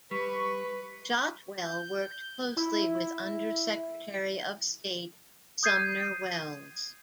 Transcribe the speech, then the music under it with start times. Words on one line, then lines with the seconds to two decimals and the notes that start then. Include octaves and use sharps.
Shotwell worked closely with Under Secretary of State Sumner Welles.
0.11 G3 B4 C#6 B6
1.65 G6
2.57 E4
5.63 D#6 G6 G#6 C7 D#7